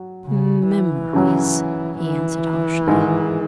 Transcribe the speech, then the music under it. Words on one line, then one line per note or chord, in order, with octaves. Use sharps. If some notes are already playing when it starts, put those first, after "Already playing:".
"Memories!" he answered harshly.
Already playing: F#3 F#4
C#3
E3
C#3 F#3 C#4
E3
G#2 D#3 G#3